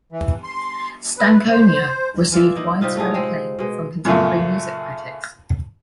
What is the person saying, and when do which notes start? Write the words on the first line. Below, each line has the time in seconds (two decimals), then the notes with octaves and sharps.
"Stankonia" received widespread acclaim from contemporary music critics.
0.12 E3
0.44 C6
1.18 B4
1.50 C5
2.32 E3 F4 D5 E5
2.56 A#3 D#4 E4
2.81 C3 G3 D#4 F4
2.95 A2 A3 D#4 G#4
3.14 G#3 C4
3.59 B2 G#3
4.05 F#2 A#2 C#3 A3